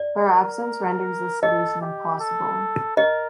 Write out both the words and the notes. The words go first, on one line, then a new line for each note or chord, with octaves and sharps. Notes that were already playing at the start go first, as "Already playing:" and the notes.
Her absence renders this solution impossible.
Already playing: D5
A#4
A4 D#5
G4
A4
A#4 D#5